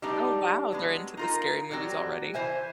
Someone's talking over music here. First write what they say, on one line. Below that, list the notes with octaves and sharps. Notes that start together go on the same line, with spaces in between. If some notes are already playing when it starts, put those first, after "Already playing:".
Oh, wow, they're into the scary movies already?
G3 A3 B3 D4 D#4 G4
F#3 G#3 B3
D#4 F4 A#4
F#3 G3 C4 F#4
E3 C5 E5 G#5